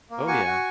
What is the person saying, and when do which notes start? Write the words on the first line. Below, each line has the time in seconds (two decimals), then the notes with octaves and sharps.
Oh yeah.
0.10 A#3
0.27 F#4 G#5 C#6
0.45 F#4